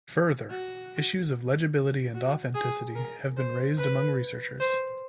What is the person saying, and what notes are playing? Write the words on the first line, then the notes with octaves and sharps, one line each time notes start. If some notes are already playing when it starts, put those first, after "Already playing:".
Further, issues of legibility and authenticity have been raised among researchers.
F#4
F#4
G#4
A#4
C5
B4
C5